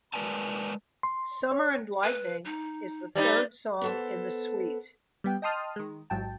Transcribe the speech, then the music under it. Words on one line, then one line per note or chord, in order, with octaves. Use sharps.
"Summer and Lightning" is the third song in the suite.
G#3 A#4 B4 D5 G#5 A5
C6
C#5
B4
D#4
G3 C4 D#4 D5
B3 A4 C5
G3 B3 G5
D#5 G5 A5 C6 D#6 F6
D#3 G#3
A1 G#2 F#3 G5 A5